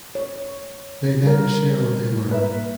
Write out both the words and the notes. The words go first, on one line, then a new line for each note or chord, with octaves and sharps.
They then share what they learn.
C#5
G3 A#4
A#3 B4 E5